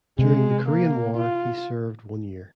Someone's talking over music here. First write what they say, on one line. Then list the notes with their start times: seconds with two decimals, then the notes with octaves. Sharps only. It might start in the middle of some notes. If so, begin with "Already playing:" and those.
During the Korean War he served one year.
0.19 C3 G#3
0.68 A#3
1.17 F4